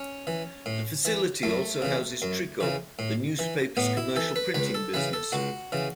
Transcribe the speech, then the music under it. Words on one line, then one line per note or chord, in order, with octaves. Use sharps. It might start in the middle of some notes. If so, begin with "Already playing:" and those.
The facility also houses Trico, the newspaper's commercial printing business.
Already playing: C#4
E3
A2
E3
F#2 A3
C#3 E3
F#2
C#3 E3
A2
E3
A2 B3
E4
E3 A4
B4
C#2 B4
A4
C#3 E3 B4
A4
C#2 F#4
C#3 E3